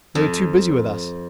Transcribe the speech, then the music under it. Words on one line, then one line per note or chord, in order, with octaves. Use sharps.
'They were too busy with us.
F2